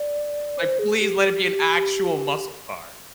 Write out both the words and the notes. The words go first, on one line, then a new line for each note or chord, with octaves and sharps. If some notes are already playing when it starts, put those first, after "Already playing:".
Like, "Please let it be an actual muscle car."
Already playing: D5
C5
G#4
G4